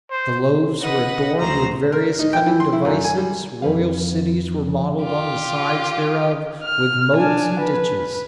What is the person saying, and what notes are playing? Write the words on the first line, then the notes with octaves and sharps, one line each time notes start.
The loaves were adorned with various cunning devices, royal cities were modelled on the sides thereof, with moats and ditches.
C5
B4 D#5 F#5
D2 F#3 C5 A#5
A#4
D#4
G5
E3
C6
E4
F#2
G#5
G3
F2 B4 F5
F4 G4
F6
D4 G#5
B4